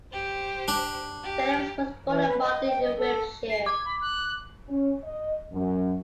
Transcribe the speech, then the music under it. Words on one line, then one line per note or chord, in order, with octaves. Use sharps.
Philips was born at Marden in Wiltshire.
G4 C5
D4
G4
E3
B4
D#5
G5
D#5
A4
C7
D6 G#6
B5
F#6
C#4
D#5
F#2